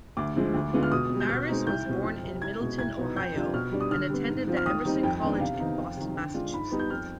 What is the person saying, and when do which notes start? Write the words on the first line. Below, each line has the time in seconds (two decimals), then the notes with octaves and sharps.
Pharris was born in Middletown, Ohio and attended the Emerson College in Boston, Massachusetts.
0.17 D2 D6
0.36 D3 F3 G#3
0.54 D2
0.73 D3 G#3 B3 F4
0.83 F6
0.92 B2 D#6
1.10 G3 B3
1.20 G6
1.29 B2 F6
1.48 G#3 C4 D#4
1.67 C2 G6
1.85 B2 G3 C4
2.04 F2
2.23 C3 G3
2.41 C2 G#6
2.61 B2 G#3
2.79 C2 G#6
2.98 B2 B3 D#4
3.16 F2 G6
3.35 C3 G3 D4 F4
3.54 B2 F6
3.72 G3 D4
3.81 D#6
3.91 D3 F6
4.10 G3 B3
4.29 G#2
4.47 F3 C4 F4
4.57 F6
4.66 D#2 D#6
4.84 D#3 G3 C4 D#4
5.03 F2 G5
5.22 D#3 B3 D4
5.40 C3 F5
5.59 D#3 B3 D#4
5.78 F2
5.96 C3 D#3
6.15 D3 G5
6.34 G#3 D4 F4
6.53 G#2 B5
6.72 G3 B3 D#4
6.79 G6
6.90 F2 F6